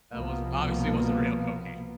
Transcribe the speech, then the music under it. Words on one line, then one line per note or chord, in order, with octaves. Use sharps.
That wasn't obviously wasn't real cocaine.
C2 B2 F3 A#3 B3